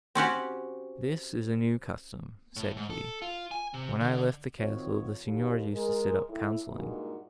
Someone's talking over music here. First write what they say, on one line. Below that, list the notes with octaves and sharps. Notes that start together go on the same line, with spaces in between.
'This is a new custom,' said he; 'when I left the castle, the Signors used to sit up counselling.'
C4 C#4 F#4 G4
A2
G#2
A4
F4
G#5
C3
D3
D#3 C4 F4 F#4 C#5
D#2
G#3 A#4
A2 E4
G2 A#2 G#3 A#3 D#4 F#4